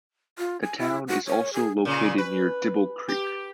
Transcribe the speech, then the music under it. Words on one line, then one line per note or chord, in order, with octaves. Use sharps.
The town is also located near Dibble Creek.
F4
G#5
E4
F#4
C#5
G#4
A#2 C#3
B4
G4